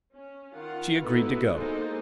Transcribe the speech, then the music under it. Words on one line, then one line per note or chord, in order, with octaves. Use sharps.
She agreed to go.
C#4
D#3 F4 F#5
B3 D#4 E4 F#4 A4 B4
G#3 A#3 D#4 A4 C5